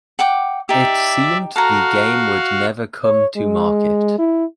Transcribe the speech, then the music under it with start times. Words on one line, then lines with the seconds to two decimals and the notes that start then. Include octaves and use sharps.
It seemed the game would never come to market.
0.19 F#5 G5 D6
0.69 D#4 G4 D5 E5
1.56 F#4 A4 F5 A#5
3.04 C#5
3.37 G#3
4.19 E4